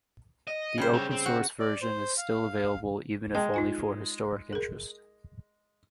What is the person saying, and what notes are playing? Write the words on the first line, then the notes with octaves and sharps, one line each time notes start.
The Open Source version is still available, even if only for historic interest.
D#5
C#3 G3 C5
C4 C#5
C4
F#4
D5
C5
F5
G#3 G5 A5
D#4 F4 G#5
G#4 A#4